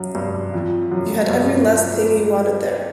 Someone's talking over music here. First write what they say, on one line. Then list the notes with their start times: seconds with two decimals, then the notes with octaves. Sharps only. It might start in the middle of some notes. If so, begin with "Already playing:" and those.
You had every last thing you wanted there.
Already playing: F#2
0.15 G2
0.54 F2
0.91 F#2
1.29 G2